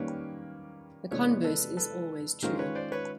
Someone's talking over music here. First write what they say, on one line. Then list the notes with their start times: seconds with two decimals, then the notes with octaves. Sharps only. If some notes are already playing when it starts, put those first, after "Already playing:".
The converse is always true.
Already playing: D#3 G3 A#3 C#4 B4 C#5
1.11 C3 E3 G#3 B3 D4 B4 C#5
1.44 A4 B4
1.77 A4 B4
2.42 D#3 G#3 C#4 F4 A#4 C5
2.59 B4 C#5
2.75 C5 D5
2.92 B4 C#5